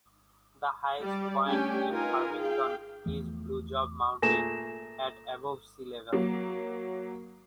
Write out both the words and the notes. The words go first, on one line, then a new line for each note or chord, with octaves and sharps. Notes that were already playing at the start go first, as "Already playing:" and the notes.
The highest point in Farmington is Blue Job Mountain, at above sea level.
G3 D5
A3 C#4 D4 G4 G5 G#5
D#4 F4 A#4 B4 G#5
G#4 F5 G5
E2 E3 F3 A3
A#2 A3 G#4 A#6 E7
F#3 A#3